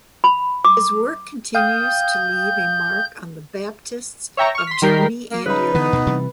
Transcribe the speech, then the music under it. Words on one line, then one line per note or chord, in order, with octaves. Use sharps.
His work continues to leave a mark on the Baptists of Germany and Europe.
B5
D6
F5 G5 D#6 G6
C#5 E5 G5 A#5 C#6
C#6 F6
C6 B6
D#3 G3 A#4 G6 B6 C7
A#3
C#3 D#4 B4 B5
D3 E3 B3 D#4
D2 B2
C3 E3 G3